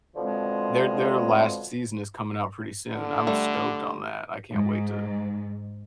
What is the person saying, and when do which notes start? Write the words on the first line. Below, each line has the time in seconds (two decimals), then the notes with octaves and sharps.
their their last season is coming out pretty soon. I'm stoked on that. I can't wait to
0.16 B2 D3 F3 G#3 C4
2.91 D3
3.27 G3 A3
4.52 G#2